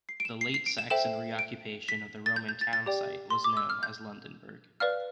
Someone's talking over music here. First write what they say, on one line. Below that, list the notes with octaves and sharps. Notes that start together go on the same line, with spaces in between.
The Late Saxon reoccupation of the Roman town site was known as Lundenburgh.
C7
D7
E7
C7
C7
D7
E7
A4 C5 E5 G5 E7
D7
B6
A6
G6
G6
A6
A6
G4 D5 G5
C6
D6
E6
F6
G6
B4 D5 F5 F6